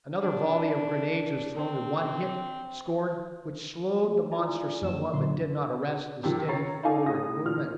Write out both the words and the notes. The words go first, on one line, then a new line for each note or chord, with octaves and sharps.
Another volley of grenades was thrown and one hit scored, which slowed the monster somewhat but did not arrest the steady forward movement.
D4
C4
A3
E4 F4 D5 G#5 A#5
F#2 F3 A#3 E7
A#2 D3 F#3 A#3 D4 C6
C3 D#3 F3
C#5 A#5 A6 C7
D#4 F4 A4 F5 G#5 D6
A2 D#6 A#6
A#2 E3 F6